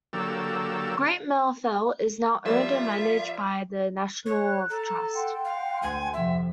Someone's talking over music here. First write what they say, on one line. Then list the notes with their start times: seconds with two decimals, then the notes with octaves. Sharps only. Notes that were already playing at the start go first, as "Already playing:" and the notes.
Great Mell Fell is now owned and managed by the National Trust.
0.13 D3 F#3 A#3 G4 A4 E6
2.46 F3 G3 A#3 F4 E5
4.26 C#5 F#6
4.70 A4 A#5
5.14 F#5 G5 C6
5.45 F5
5.82 D2 G#5
6.13 F2 C3 E5